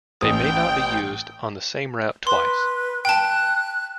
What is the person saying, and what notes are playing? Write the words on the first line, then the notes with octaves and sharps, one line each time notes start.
They may not be used on the same route twice.
A1 G5 D#6
B4 C6
G5 A5 F#6